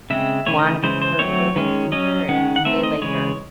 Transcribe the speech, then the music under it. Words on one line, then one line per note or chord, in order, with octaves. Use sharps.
wanted her to move in sooner and stay later.
C#3 G#3 C4 E5
C#3 E3 A3 C#5
D#5
C#3 E3 G#3 C5
C5
F#3 A3 C4 C#5
D#3 G#3 C#4
F#3 C#4 D#5
D#3 G#3 C#4 F#5
F#5
D#3 A3 C4 E5
D#5
C#3 E3 G#3 C#5